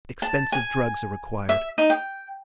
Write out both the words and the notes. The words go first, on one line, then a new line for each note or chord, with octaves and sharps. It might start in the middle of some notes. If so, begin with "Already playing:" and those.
Expensive drugs are required.
A5
G#5
E5
D#4
G5